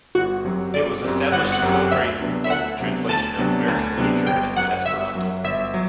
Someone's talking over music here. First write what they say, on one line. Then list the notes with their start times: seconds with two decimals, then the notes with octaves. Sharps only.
It was established to celebrate and promote the translation of American literature into Esperanto.
0.15 G1 F#4
0.45 F#2 F#3 C4 G4
0.73 G1 D5
1.03 F#2 F#3 C4 G4
1.32 G1 F#5
1.52 F#5
1.62 F#2 F#3 C4 G4
1.72 F#5
1.91 D2 E5
2.21 C3 F#3 B3 D4
2.44 E5
2.50 D2 F#5
2.80 C3 F#3 B3 D4
3.09 D2 A5
3.38 C3 F#3 B3 D4
3.68 D2
3.97 C3 F#3 B3 D4
4.27 G1 G5
4.56 F#2 F#3 F#5
4.86 G1 E5
5.15 F#2 F#3
5.44 G1 E5
5.74 F#3